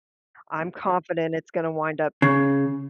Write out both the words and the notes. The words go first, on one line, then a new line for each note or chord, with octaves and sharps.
I'm confident it's going to wind up
C#3